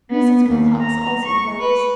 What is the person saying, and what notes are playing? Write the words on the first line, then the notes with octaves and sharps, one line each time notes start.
Mrs. Wilcox also rose.
B3
D#2
A#5
C#6
B4